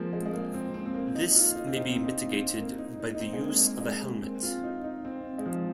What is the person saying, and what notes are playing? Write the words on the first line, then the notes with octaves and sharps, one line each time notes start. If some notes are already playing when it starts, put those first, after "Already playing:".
This may be mitigated by the use of a helmet.
Already playing: F3 G#3 A#3 C4
G#3
G#3
A#3
C4
C4
C4
A#3
D#4
F4
D#4
C4
D#4
C4
D#4
C4
A#3
D#4
D#4
D#4
C4
G#3
A#3
A#3
G#3
A#3
C4
F4
D#4
D#4
C4
G#3
F3